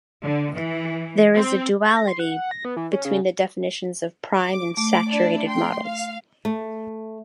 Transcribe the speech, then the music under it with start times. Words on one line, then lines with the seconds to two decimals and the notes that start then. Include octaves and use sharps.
There is a duality between the definitions of prime and saturated models.
0.24 D3
0.54 E3
1.35 C4
1.96 A#6
2.08 C6
2.19 F#5
2.31 F#5
2.51 A#6
2.65 B3
2.77 E3
2.92 C#4
3.05 C#3
4.36 D6
4.77 A3 D6
5.10 D4 E4 D5
5.47 G5 C6
5.83 F5
6.45 A3